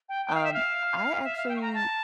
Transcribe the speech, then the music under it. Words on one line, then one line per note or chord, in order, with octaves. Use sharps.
um, I actually
G5
G5
F5
E5
F5
E5
F5
G5
C#6
A#5
A5